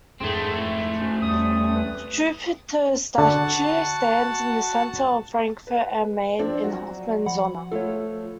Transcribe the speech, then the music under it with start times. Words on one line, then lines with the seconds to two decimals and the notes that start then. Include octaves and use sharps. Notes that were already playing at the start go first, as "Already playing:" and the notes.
Struwwelpeter's statue stands in the center of Frankfurt am Main, in Hoffman's honour.
0.21 F2 G#2 A3 C4 G#4
0.59 E4
1.00 C#4 D#4 F#4 C5
1.22 E2 G3 C#4 D#6
1.75 B4
3.18 D3 F#4 F#5 A5
5.67 B4
6.39 F3 C4 D4 D5
6.64 F#3 F#4
7.26 F3 F#5 B5
7.71 F3 A3 F4 A4 C#5